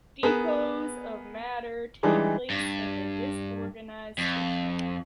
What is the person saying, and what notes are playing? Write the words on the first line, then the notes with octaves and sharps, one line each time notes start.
Depots of matter take place in the disorganized tissue.
B3 G#4 A#4 B4
E3 G3 G#3 D4 D#4 G#4
G2
F2